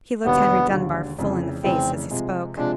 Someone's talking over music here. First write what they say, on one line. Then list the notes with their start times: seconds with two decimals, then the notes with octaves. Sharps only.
He looked Henry Dunbar full in the face as he spoke.
0.25 E1 D#2 D3 B3
0.70 E1 D#2 D3
1.18 F1 F2 C#3 E3
1.63 F1 F2 C#3 E3 C4
2.11 C3 F3 G#3
2.57 C3 F3 G#3 D4